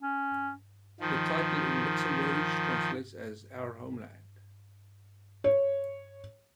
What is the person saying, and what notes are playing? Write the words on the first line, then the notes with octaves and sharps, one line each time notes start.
The title in Luxembourgish translates as "Our Homeland".
C#4
D#3 F3
C#5